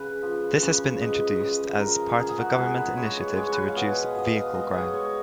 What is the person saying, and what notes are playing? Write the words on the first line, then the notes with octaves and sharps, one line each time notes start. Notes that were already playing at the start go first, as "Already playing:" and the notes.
This has been introduced as part of a government initiative to reduce vehicle crime.
Already playing: C#3 B4
F3
C#3 C#5
G#3 D#5
C#3 C#5 D#5
F3 A#4
C#3 G#4
F#4
G#3 G#4
B4
G#3 C#5
C#5
G#3 C#5
B4 C#5
F5
B2 D#5
B2 D#5
F5
G#3 D#5
C#5
G#3 C#5